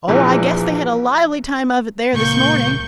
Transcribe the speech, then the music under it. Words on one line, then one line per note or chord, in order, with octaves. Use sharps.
Oh, I guess they had a lively time of it there this morning.
A#1 E2 A#2 E3
C#2 A#2 A#3 C#6 G6